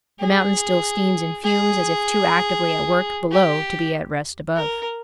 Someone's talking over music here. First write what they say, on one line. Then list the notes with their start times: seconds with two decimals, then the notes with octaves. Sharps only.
The mountain still steams and fumes, as if too actively at work below to be at rest above.
0.19 G#4
1.44 G#4
3.31 G4
4.56 A#4